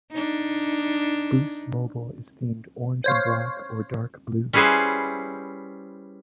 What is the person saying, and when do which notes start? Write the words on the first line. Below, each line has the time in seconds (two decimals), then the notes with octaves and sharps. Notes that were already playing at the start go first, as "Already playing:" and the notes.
Boost mobile is themed orange and black or dark blue.
0.11 D4 D#4
3.04 C5 C#5 F5
4.53 G3 C#4 E4 G#4 B4 C5